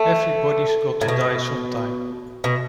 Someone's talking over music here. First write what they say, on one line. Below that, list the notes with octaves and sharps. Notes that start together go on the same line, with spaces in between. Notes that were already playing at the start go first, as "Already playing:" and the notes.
Everybody's got to die sometime.
Already playing: A3
A2
B2
B2